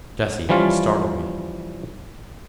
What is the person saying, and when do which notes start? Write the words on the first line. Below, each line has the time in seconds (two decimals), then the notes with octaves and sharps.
"Jesse, you startled me."
0.49 E3 F3 G3 C#4 F4